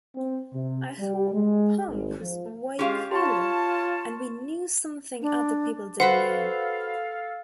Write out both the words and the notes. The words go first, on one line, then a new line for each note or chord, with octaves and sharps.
I thought punk was way cooler and we knew something other people didn't know.
C4
C3
G3
G#3
G#1
F3
G#3 C#4 F4 G4 G#4 F5
F4 C#5 A5 C6 C#6
D4
F#4 A4 B4 C5 F5 F#5